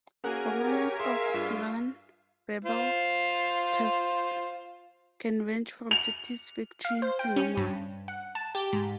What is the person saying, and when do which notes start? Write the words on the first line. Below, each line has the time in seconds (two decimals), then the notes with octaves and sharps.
Performance of nonverbal tasks can range from satisfactory to normal.
0.24 A#3 C#4 F#4 G#4 A#4 F#5 G#5 F#6
0.64 G4 C#5
1.00 G#4 E5 F5 C6
1.34 G2 F4
2.65 F4 C5
5.91 F7
6.85 F5
7.02 C5
7.19 G5
7.36 C#4
7.57 G2
8.08 F#5
8.35 A5
8.55 G4
8.73 G#2